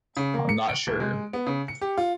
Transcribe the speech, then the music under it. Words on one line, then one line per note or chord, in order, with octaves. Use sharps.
I'm not sure.
C#3
A#3
C#7
D7
D#1
G#3
B3
C#3
C#7
G4
F4